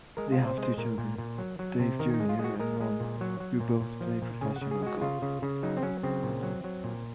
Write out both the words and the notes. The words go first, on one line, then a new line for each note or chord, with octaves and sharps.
They have two children, Dave Junior and Ron, who both play professional golf.
G#3 A#4
F4
C3
C5
G#3
C5
A#2 A#4
A#2
A#2
F#3
F#3
C3
D#3 A#4
D#4
G#3
F4
G#3
F#4
G#3 A#4
G#3
A#2
F#3 C#5
F#3
A#2
A#2
F3
A#2
C#3 G#5
F#5
C#3
G#4
G#3 F#4
C#3 F4
C#3
C#3
F#3 D#4
C4
F#3 C#4
C#3 C4
A#2
F#3
F#3
A#2